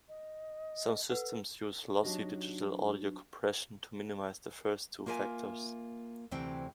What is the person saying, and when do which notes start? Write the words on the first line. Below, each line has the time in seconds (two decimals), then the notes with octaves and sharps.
Some systems use "lossy" digital audio compression to minimize the first two factors.
0.09 D#5
1.10 A4 B4 F#5
2.03 F#3 D4 D#4 F#4 G4 D#5
5.06 A#3 F4 A#4 E5 G#5
6.31 D2 C3 E3 C4 E4 G5